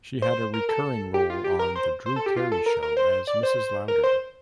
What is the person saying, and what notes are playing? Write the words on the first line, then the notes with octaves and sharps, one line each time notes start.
She had a recurring role on "The Drew Carey Show" as Mrs. Lauder.
C5
A#4
A4
G4
F4
G4
A#4
C5
C5
A4
G4
F4
A4
A#4
A#4
C5
D5
C5
A#4
C5